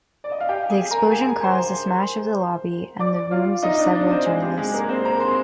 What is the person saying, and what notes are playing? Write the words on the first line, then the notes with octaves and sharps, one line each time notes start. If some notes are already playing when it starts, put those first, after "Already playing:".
The explosion caused the smash of the lobby and the rooms of several journalists.
D5
D#5
F5
G4 G5
G#4 G#5
A#4 A#5
G#4 G#5
C5 C6
D5 D6
F4 F5
D#4 D#5
D4 D5
D4 D5
C4 C5
G#3 G#4
G4
G#3 G#4
A#3 A#4
C4 C5
A#4 A#5
C5 C6